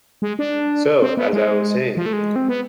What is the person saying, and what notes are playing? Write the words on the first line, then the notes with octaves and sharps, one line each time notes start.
So, as I was saying.
G#3
D4
C4
B3
G#3
F3
A3
G#3
C4
B3